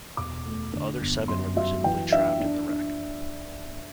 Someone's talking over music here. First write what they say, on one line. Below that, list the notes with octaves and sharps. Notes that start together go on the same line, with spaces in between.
The other seven were presumably trapped in the wreck.
E1 D6
A3
D3
G1
F#2 C6
F#3 E5
E3 G5
D4 E5
D4
D4